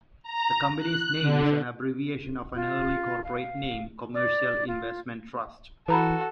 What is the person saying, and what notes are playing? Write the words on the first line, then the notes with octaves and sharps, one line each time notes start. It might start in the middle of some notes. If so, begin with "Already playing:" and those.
The company's name is an abbreviation of an early corporate name, Commercial Investment Trust.
A#5
F#6
D3
F4
F5
D5
F4
E3 F#4 A4 B4 A#5 B5